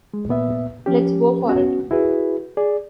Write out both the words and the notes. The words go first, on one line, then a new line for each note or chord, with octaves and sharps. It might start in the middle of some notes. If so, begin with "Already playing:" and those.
Let's go for it.
G#3
A#2 B3 E5
F3 C#4 G4
B3 C#4 F#4
E4 F#4 G#4 B4
G#4 D5